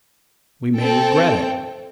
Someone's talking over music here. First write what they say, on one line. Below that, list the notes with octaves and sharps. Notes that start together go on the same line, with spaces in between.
We may regret it.
C4 A4 G5